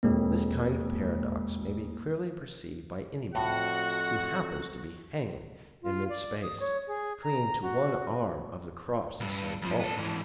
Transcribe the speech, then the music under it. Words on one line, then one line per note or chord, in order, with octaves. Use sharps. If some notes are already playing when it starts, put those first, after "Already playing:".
This kind of paradox may be clearly perceived by anybody who happens to be hanging in mid-space, clinging to one arm of the Cross of St. Paul's.
E1 F2 G#3 A#3
F2 A2 F#4 F#5
F4
D5
D#6
C#5
G#4
A#5
F#4
C2 G2
F2 F3
B3 A4
G#2 E3